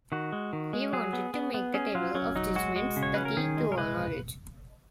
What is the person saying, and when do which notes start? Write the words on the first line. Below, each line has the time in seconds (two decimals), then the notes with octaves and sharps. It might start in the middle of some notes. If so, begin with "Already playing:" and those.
He wanted to make the table of judgments the key to all knowledge.
0.12 D#3 F#4
0.32 G#3
0.53 D#3
0.73 G#3
0.93 F#3 G#4
1.13 B3
1.34 B3
1.54 B3
1.74 C#4 G#4
1.95 F#3 F4
2.15 F#3 C#4
2.36 F#3 D#4
2.56 G#3 F#4
2.76 G#3
2.97 C#3
3.03 C#5
3.14 C#4 B4
3.25 A#4
3.37 D#3 G#4
3.58 G#3
3.72 A#4
3.78 G#3 B4